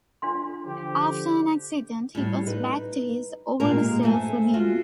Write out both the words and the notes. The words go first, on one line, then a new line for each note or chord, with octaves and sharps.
After an accident, he was back to his old self again.
D4 F4 C6
D3 F3 G4
A2 G3
D#4 B4
A#2 G#3 A#3 C4 G4 A#4
A3 C4 G5 G#5
F4 F#4